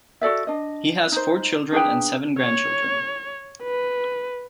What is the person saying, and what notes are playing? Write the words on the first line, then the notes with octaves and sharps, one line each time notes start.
He has four children and seven grandchildren.
F#4 A4 D5 E5
D4 D#5
D#4 C5
D4 G#4 B4 G5
C#5
B4